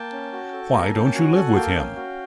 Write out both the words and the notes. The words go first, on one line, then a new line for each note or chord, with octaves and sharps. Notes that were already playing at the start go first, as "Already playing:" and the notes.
Why don't you live with him?
Already playing: A#3 G5 A5
C#4
F#4
A4
A#3 G#5 A#5
C#4 G5 A5
A5
F#4 F#5 G#5
A4 F#5 G#5
A#3 F5 G5
C#4
F#4